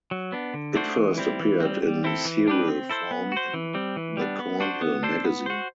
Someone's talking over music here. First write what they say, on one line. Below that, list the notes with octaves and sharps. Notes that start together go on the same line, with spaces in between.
It first appeared in serial form in "The Cornhill Magazine".
F#3
B3 D4
D3
A3 D4 F#4 C5
E3
G3 C4 E4
E3
G3 C4
G3
C4 E4 A4
E3
G3 D4 G4 B4
C4
E4 A4 C5
B3
F#4 C5
E3
G3 C4
E3
G3 B3 D4
B3
D4 F#4 C5
B3
D4 A4 C5
B3
F#4 C5